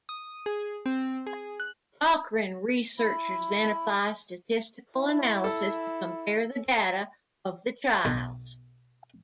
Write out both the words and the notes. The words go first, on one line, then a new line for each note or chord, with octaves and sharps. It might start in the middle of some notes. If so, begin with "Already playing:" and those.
Cochrane Researchers then apply statistical analysis to compare the data of the trials.
D#6
G#4
C4
G#4
F#6
E4
E4
A4
B1